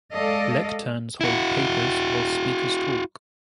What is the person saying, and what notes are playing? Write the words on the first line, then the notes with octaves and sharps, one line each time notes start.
Lecterns hold papers while speakers talk.
G#3 A4 D5 D#5 F5
E4 F#4